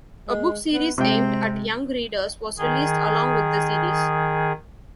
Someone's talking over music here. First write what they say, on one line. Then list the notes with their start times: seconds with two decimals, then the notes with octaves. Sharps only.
A book series aimed at young readers was released along with the series.
0.28 G#3
0.73 B3
0.98 C3 G#3 C4 G5
2.58 D#3 G#4